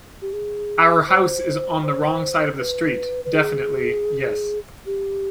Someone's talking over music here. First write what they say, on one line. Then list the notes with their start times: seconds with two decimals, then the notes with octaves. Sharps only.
Our house is on the wrong side of the street — definitely — yes.
0.22 G4
0.33 G#4
1.08 C5
1.83 C5
2.58 B4
3.25 B4
3.34 G#4
4.86 G4